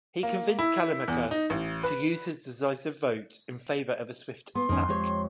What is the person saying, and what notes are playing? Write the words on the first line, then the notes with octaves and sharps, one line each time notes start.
He convinced Callimachus to use his decisive vote in favor of a swift attack.
A#3
E4
E2
D#4
A1
B4
B3 C6
F2 D#3 C#4
F2 G#3 G4 C#5